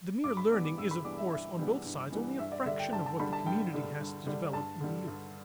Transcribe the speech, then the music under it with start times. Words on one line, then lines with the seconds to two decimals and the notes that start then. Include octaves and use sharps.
The mere learning is of course on both sides only a fraction of what the community has to develop in the youth.
0.24 G2 D6
0.37 B5
0.51 E3 G3 B3 D4 D6
0.64 D6
0.78 G2 E6
0.91 B5
1.04 E3 G3 B3 D4 D6
1.18 E5
1.32 G2 E5
1.58 E3 G3 B3 D4
1.85 G2
2.12 E3 G3 B3 D4
2.39 G2 E5
2.52 D5
2.66 D3 G3 D4 E5
2.79 G5
2.92 G2 A5
3.06 A5
3.20 D3 G3 D4 B5
3.33 A5
3.46 G2 G5
3.73 D3 G3 D4
4.00 G2
4.26 D3 G3 D4
4.53 G2 A5
4.80 D3 G3
5.07 G2